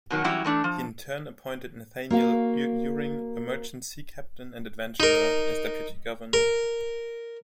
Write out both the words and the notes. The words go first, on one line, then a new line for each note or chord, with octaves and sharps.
He in turn appointed Nathaniel Uring, a merchant sea captain and adventurer, as deputy-governor.
B2 D#3 F#3
E3 F#3 G3 C#4 E4 G4
E3 A3 D4
F3
A#3 F#4 F5
D#4 A#4
A#4